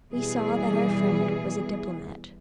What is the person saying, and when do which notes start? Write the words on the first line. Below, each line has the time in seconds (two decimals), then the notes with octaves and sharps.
We saw that our friend was a diplomat.
0.12 B2 E3 G3 G#4